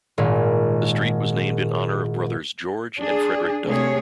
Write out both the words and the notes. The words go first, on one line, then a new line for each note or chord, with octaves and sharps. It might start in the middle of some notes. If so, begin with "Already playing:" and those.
The street was named in honour of brothers George and Frederick Duddell.
G#1 A#2
D4 G#4
C3 A3 G#4 C#5